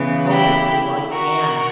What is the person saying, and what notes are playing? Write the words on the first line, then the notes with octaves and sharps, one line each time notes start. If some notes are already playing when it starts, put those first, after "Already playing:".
"Go quickly, while you can!"
Already playing: C#3 E3 B3
E4 G4
F#4 A#4